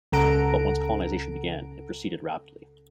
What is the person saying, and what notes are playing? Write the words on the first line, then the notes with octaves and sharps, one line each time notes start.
But once colonization began, it proceeded rapidly.
C#2 C#3 A4 F#5 A#5 D7